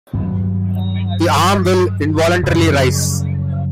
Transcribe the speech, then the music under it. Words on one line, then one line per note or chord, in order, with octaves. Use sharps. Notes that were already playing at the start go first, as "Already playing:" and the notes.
The arm will involuntarily rise.
G2 D#3 F#3 B3
F#2 C#3 F3